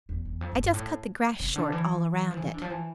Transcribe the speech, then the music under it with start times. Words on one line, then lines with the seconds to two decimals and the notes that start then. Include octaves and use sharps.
I just cut the grass short all around it.
0.09 E2
0.25 E2
0.41 F2
0.53 F2
0.57 G2
0.74 A2
1.40 C3
1.56 D3
1.72 E3
2.31 F3
2.37 E3
2.54 D3
2.62 F3
2.70 E3